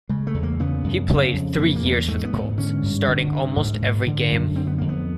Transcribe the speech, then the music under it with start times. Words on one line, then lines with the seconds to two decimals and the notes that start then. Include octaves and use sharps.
He played three years for the Colts, starting almost every game.
0.09 C#3 G#3
0.27 A3
0.34 E2
0.43 A#3
0.59 C#3 B3
0.84 F#2
1.09 C#3
1.34 F2
1.59 C#3 A#3
1.76 A#3
1.84 E2
1.92 A#3
2.08 G#2 A3
2.25 B3
2.33 G#2
2.58 D3 C#4
2.83 G2
3.08 D3
3.32 G2
3.57 G#2
3.82 G#2
4.07 D3
4.32 F#2
4.56 D3 C4
4.67 B3
4.78 F2 A#3
4.89 B3